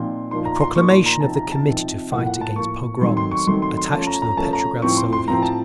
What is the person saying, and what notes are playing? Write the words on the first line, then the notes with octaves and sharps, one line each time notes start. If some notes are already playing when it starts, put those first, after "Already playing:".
A proclamation of the Committee to Fight against Pogroms, attached to the Petrograd Soviet.
Already playing: A#2 F3 C4 D#4 C6
A#2 F3 A#3 D#4 C6
A#5
C6
A#2 F3 A#3 D#4 C#6
C6
A#5
C3 F3 C4 D#4 A5
A#5
A5
C3 F3 C4 D#4
A2 F3 A#3 F#5
F#5
A5
A2 F3 A#3 C#6
D#3 F#3 A3 C4 D#4 C6
C6
C#6
D#3 F#3 A3 C4 D#4 C6
C6
C6
F3 A3 C#4 A5
A#5
A#5
F3 A3 C#4 A5
A#5
A2 F3 C4 C#6
C6
C6
A2 F3 C4 A#5
A5